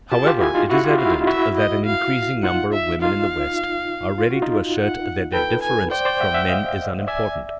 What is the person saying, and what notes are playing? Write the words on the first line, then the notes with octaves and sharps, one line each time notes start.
However, it is evident that an increasing number of women in the West are ready to assert that their difference from men is unimportant.
F4 G4 A5
G#4
F4 G4
E4 F#4 G#5
D#4 F4
E4 F#4 F#5
F4 G4
E4 F#4 F5
D#4 F4
E4 F#4 E5
D#5
F5
D#4 F4 F#5
E5
D#4 F4 F5
F4
F#4
D#4 F4
F#5
A4 B4 G5
G#5
C5 D5 G5
C5 D5
E5 F#5
E5 F#5
D#5 F5
D5 E5 G#5